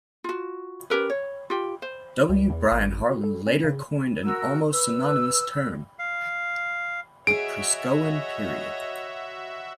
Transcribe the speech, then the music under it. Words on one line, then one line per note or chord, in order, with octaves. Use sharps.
W. Brian Harland later coined an almost synonymous term: the "Priscoan period".
F4 F#4
C#4 G4 A#4 B4
C#5
F4 G4
C5
C#2
E2
G#1
F#4
A4
C#4
C#3
F#4 A#4 E6
B4 E6
F5
F#4 G#4 C#5 D#5 E5 D7